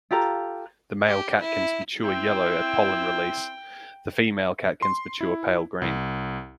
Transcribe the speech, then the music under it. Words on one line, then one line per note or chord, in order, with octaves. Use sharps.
The male catkins mature yellow at pollen release, the female catkins mature pale green.
F4 G4 A4 A#5
G4
E4
C4 E4 G5
C6
E4
C2